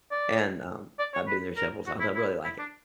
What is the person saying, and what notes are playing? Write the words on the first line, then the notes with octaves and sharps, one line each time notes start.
and, um, I've been there several times, I really like it.
D5
D5
C#5
B4
A#4
F#4
E4
E4
E4
D4